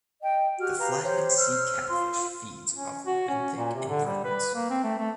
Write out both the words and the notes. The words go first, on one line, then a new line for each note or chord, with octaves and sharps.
The flathead sea catfish feeds off of benthic invertebrates.
D#5 G5
F#4 G4 F6
G4 B4 F5 A#5
G4 C5 C#5
C5 E6 F6
F4 C6
C#4
F#4
C#4
A#2
C3
D3
G3
B4
A#3
C4
A3
A3